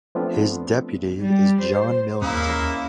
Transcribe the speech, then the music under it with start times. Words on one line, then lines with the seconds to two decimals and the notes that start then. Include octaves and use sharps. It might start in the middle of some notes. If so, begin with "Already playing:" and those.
His deputy is John Millington.
0.15 F3 A3 B3 C4 D4 F4
1.20 G3
1.61 C5
2.22 D#2 G#3 A#3 C#4 E4